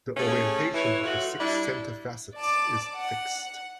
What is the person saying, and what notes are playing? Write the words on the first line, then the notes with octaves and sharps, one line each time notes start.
The orientation of the six centre facets is fixed.
A3 C#4 G4 G#4
E3 C#5
F#3 A3 F4 F#4
G3 D4 E4
D5 A5 D6
F#5